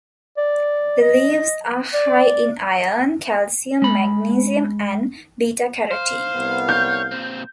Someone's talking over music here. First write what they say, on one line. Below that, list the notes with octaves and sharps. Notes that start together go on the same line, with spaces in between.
The leaves are high in iron, calcium, magnesium, and beta carotene.
D5
D#5
D5
G#3 B5
C5 F5
C2 B3
C#5 G6
A#2 C4